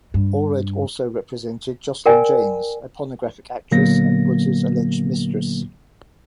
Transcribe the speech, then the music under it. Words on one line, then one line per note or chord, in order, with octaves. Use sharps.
Allred also represented Joslyn James, a pornographic actress and Woods's alleged mistress.
G2
A#4 D5 G5 G#5
A#2 D3 F#3 A#3 B3 A#6